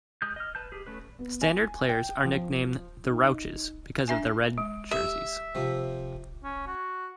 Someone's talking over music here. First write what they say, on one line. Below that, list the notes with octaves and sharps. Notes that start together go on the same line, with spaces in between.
Standard players are nicknamed the "Rouches" because of their red jerseys.
G#3 D#6 G6
D#5 F6
B4 A5 G6
G4 G#4
A3 C#4 B4
B3
G#5
G5
F3
D#4
D4 E5 G#5
G#3
G4 E5
C3 F3
C#4
F#4